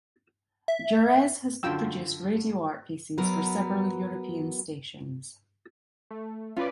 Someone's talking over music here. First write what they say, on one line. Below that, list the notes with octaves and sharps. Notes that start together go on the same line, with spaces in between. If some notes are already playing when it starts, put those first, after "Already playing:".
Jerez has produced radio art pieces for several European stations.
E5
F#2 D3 F4 G5 E6
F#3 B3 A#4
A3
C#4 F4 B4 D5